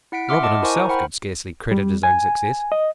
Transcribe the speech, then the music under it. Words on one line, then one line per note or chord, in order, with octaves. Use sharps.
Robin himself could scarcely credit his own success.
E4 F#5 B6 D7
E5 F#5 C6 D6 E6 F6
D#5 A5 D6
E4 A#4 C5 G#5 C#6
A#5
C5 F#5 G5 B5 F6
G3
G#5
D#5